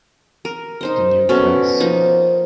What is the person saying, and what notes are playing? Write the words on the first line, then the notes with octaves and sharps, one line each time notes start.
The New Class?
A#4
D#4 C5 D#5
B2 C#4 A4
F3 A#3 D#4